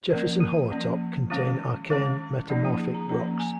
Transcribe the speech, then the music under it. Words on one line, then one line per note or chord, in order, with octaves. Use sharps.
Jefferson-Hollowtop contain Archean metamorphic rocks.
F3 A#3 C#4 A#4
F4
F3 A#3 C#4
D#3 G#3 C#4 F4
D#3 G#3 C#4
F3 A#3 C#4 D#4
F4
G#4
A#5
F3 A#3 C#4 A#5
G#5